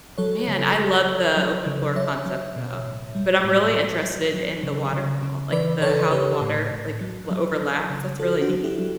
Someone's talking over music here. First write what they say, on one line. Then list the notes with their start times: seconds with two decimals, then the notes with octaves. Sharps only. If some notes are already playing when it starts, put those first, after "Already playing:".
Man, I love the open floor concept, though. But I'm really interested in the waterfall, like, the how the water, like, overlaps, that's really neat.
0.18 F#3 A4 C#5
0.48 C#3
0.77 F#3
1.07 F#3
1.37 F#3
1.66 C#3
1.96 F#3 C#5 E5
2.26 F#3
2.56 B2
2.85 A2
3.15 G3
3.44 A2
3.74 F#3
4.04 F#3
4.34 F#3
4.63 C#3
4.93 C#3
5.22 C#3
5.52 E3 B4 D5
5.82 C#3 A4 C#5
6.11 C#3 G4 B4
6.41 A2
6.71 A2
7.01 F#3
7.30 F#3
7.60 F#3
7.90 C#3
8.19 F#3 F#4 A4
8.41 D4 F#4
8.49 F#3
8.64 E4 G4
8.79 F#3